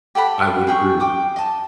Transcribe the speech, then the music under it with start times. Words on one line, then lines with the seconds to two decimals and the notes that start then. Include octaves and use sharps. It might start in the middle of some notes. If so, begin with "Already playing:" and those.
I would agree.
0.15 G4 A4 F#5 B5
0.67 G#4 G5 B5 C#6
1.00 G5 D6 D#6
1.36 D#5 A5